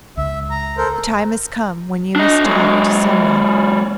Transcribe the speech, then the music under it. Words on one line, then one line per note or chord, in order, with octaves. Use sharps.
"The time has come when you must talk to some one."
C#2 E5
A#5
A4 A#4 C5
D4 D#5
F#3 G#3